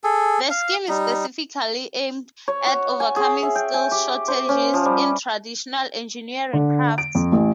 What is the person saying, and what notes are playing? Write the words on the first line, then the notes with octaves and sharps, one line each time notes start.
The scheme is specifically aimed at overcoming skills shortages in traditional engineering crafts.
G#4 A4
F5
G3 D#4
C#5
F#4
G#5
G#4
E5
G5
G#5
G4
C5
C#4
F3
G3
D3
D7
F2
A1